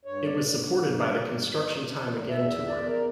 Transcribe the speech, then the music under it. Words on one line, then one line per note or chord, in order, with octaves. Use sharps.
It was supported by the Construction Time Again Tour.
G2 C#5
D5
G2
G2
G2
E2
E2
E2 E5
E5
E2 D5
A#4